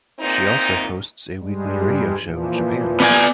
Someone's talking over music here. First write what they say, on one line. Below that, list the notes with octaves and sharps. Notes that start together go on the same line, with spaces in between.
She also hosts a weekly radio show in Japan.
E2 A#2 C4 D#4
G2 G3 G#3
A#2 E3 F3
B3 D5 G#5